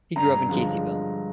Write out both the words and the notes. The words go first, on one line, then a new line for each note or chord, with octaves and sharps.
He grew up in Caseyville.
G2 A#5
D3 F3 G#3